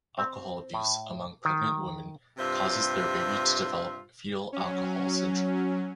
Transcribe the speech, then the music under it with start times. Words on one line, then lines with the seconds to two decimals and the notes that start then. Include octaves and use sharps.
Alcohol abuse among pregnant women causes their baby to develop fetal alcohol syndrome.
0.18 C4
0.74 A2
1.45 D#3
2.38 G2 C3 F4 C5 E5
4.53 F#3 C#4